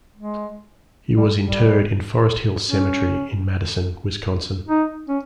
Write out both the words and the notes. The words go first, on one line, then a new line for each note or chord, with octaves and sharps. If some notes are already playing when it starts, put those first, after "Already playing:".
He was interred in Forest Hill Cemetery in Madison, Wisconsin.
G#3
G3
G3
C#4
D#4
C#4